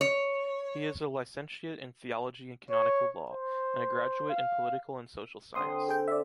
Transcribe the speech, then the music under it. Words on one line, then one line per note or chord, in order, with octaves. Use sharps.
He is a licentiate in Theology and Canonical Law, and a graduate in Political and Social Science.
C#5
C#5
C5
F5
D3 C4 C6 D#6
G#4 C5 G5
D5 E5